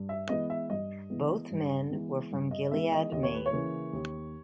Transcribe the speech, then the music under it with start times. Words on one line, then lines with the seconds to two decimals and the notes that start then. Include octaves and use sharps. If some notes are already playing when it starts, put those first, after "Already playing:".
Both men were from Gilead, Maine.
Already playing: G2
0.09 E5
0.29 E3 G#3 B3 D#5
0.50 E5
0.70 G2 D#5
1.10 E3 G#3 B3
1.50 G2
1.90 E3 G#3 B3
2.31 G2
2.51 D#5
2.71 E3 G#3 B3 E5
2.92 D#5
3.12 D#2 D#5
3.23 C#5
3.34 B4
3.46 C#5
3.53 C#3 E3 A#3 C#4
3.93 D#2